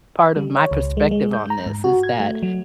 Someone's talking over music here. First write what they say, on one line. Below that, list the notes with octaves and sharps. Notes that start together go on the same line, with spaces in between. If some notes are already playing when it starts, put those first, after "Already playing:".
part of my perspective on this is that,
G3
C#5
C#2
G#3
G#3
G6
A#5
G#2
F#4
G#6
A3
F#3